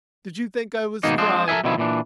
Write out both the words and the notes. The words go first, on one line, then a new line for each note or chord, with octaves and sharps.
Did you think I was crying?
G#2 B2 D#3 A#3 D#4
F3 G#3 C4 D4
A4 A#4 D#5 E5 G#5
B2 D3 D#3 F3 E4
A#2 E3 D4